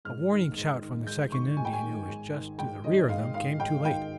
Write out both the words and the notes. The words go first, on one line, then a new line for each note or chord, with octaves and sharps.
A warning shout from the second Indian, who was just to the rear of them, came too late.
G#2 F6
D#3
G#2
D#3
G#2 G6
D#3 C#6
G#2 G#5
G5
G#5
D#3
G#2
D#3
G#2 G5
D#3 D#5
G#2 F5
D#3 F5
G#2 G5
D#3 G5